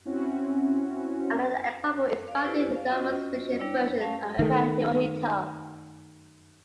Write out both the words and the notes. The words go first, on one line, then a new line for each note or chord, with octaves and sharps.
Another example is found in the novel's fictional version of Emperor Hirohito.
C4 C#4 E4 F#4
D5 F5
E4 G4 A4 B4 C5 D5
F5
C#4 F4 F#4 D#5
G3 D4 E4 C#5 D5 E6
A3 C#4 F5 A5
D#3 A3